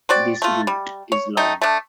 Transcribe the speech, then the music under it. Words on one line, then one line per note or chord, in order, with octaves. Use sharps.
This route is long.
C4 F#4 D5
A3 F4
G3
C#5
A3 D#4 G5
A3 D4